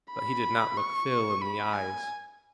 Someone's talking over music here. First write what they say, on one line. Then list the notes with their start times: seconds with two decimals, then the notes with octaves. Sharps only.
But he did not look Phil in the eyes.
0.12 B5
0.77 C#6
1.41 B5
1.73 G#5